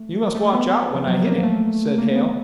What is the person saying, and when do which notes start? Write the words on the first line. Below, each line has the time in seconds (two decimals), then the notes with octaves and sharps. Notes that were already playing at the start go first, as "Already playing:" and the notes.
"You must watch out, when I hit him," said Hale.
Already playing: A3
0.35 A3
0.53 B3
0.71 B3
0.95 F3
1.07 F#3
1.25 A#3
1.43 A3
1.98 A#3
2.16 B3